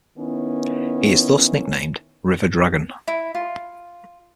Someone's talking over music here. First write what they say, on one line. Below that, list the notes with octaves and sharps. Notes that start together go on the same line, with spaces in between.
He is thus nicknamed "River Dragon".
D#3 B3 C#4 E4
E4
F4